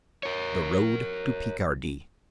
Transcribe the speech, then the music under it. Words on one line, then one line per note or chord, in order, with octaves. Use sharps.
The Road to Picardy.
A#4 C#5